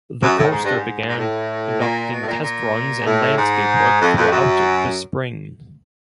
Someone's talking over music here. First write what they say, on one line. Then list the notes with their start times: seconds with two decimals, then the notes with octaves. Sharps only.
The coaster began conducting test runs and landscape work throughout the spring.
0.23 F#2
0.38 A2
0.51 G#2
0.65 G2
0.77 G#2
1.09 A#2
1.17 A2
1.80 A#2
2.12 B2
2.23 A2
2.28 A#2
2.43 A#2
3.00 G#2
3.06 A2
3.37 G#2
4.01 F2
4.17 F2
4.32 F#2